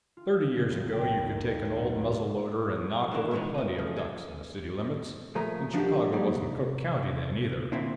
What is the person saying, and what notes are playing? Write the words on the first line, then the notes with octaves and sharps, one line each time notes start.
Thirty years ago, you could take an old muzzle-loader and knock over plenty of ducks in the city limits, and Chicago wasn't Cook County then, either.
F4
E6
C#3
A#1
G5
D#2
G#2
B1
C2
D#3 E3 A#3 D4
B2 E3 G#3 B3 D#4
B4 D#5
C#3 F3 A3
G#4 A4
A#2 F3 A3 G#4 A#4
F3 D4 D#4 F#4 G4
F#3 G3 A#3 D#4 D5
C3
D2 A#2 C4 E4